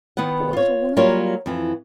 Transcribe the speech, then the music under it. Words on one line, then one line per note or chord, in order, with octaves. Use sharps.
Poor little woman!
D#3 B3 B4 F#5
F4 C#5
F#3 G3 A#3 F4 A#4 C#5
F2 E3